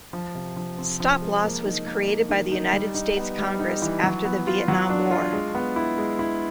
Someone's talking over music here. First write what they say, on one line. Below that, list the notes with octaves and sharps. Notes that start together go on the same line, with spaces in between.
Stop-loss was created by the United States Congress after the Vietnam War.
F3
C3
F3
C4
F3
G#3
A#3
D#4
A#3
A#3
D#3
D#4
G3
D#4
B3
G3
D#4
E3
F#3
B3
F4
F#3
D4
F4
G#3
B3
E4
G#3
E4